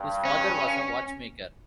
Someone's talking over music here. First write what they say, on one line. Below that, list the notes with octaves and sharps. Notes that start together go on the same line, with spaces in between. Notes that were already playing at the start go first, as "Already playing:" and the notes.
His father was a watchmaker.
Already playing: G2
C#4